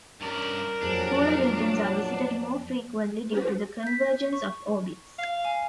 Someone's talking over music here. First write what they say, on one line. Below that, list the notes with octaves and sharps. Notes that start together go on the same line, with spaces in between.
Polar regions are visited more frequently due to the convergence of orbits.
G2 C#4 A#4 D5
F2 A#2 F#3 D4 G#4
G6 B6
C#6
F5
G#5